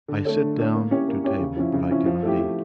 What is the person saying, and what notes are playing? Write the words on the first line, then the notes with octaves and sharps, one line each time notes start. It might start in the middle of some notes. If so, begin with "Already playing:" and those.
I sit down to table; but I cannot eat.
D3
A3 D4 A4 C#5
D3
A3 D4 A4 C#5
A#3
C#4 E4 G4 C#5
A#3
C#4 E4 G4 C#5
C#3
F3 C#4 E4
C#3
F3 C#4 E4
F3
A3 E4 G4
F3